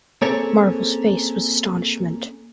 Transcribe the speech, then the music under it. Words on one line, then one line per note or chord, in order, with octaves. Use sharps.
Marvel's face was astonishment.
A#3 C4 C#4 G#4 A4 C#5